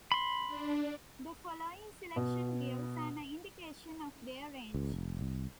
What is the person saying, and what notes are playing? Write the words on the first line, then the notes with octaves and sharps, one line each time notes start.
The following selection gives an indication of their range.
B5 C6
D4
B2
C#2
F1
C2